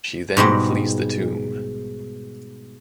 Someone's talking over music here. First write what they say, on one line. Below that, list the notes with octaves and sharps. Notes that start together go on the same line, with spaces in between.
She then flees the tomb.
G#2 B2 G3 G#3